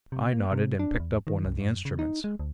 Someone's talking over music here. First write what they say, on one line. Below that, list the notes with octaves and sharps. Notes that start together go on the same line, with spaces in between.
I nodded, and picked up one of the instruments.
C3
A#3
C3
D4
E2
D#3
C2
F#2
C#3
D#4
G#3
D2